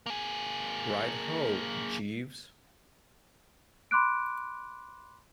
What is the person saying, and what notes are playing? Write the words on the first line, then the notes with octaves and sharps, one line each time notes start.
Right ho, Jeeves.
A#3 G#4
B5 C6 D6 F#6 D7